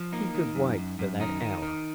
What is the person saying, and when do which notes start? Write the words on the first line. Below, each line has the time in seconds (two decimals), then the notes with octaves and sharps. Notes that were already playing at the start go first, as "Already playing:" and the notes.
He could wait for that hour.
Already playing: F3
0.12 A#3 D#4
0.35 D#3
0.55 F#2
0.78 F#2
0.99 F#2
1.20 D#3 D#4
1.41 D#3
1.62 D#3